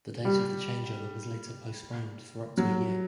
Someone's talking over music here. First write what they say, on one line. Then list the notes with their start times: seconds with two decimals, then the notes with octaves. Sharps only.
The date of the changeover was later postponed for up to a year.
0.25 G3
2.58 F#3